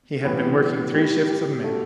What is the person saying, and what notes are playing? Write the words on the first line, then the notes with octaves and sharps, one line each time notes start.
He had been working three shifts of men.
A2 E3 G3 B3 B4
A2 G3 G4
G3 G4
B2 G3 A3 A4